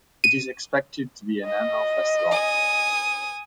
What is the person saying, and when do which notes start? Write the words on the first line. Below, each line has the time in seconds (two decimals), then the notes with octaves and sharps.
It is expected to be an annual festival.
0.24 D#7
1.46 D#5
2.31 G#5 D#6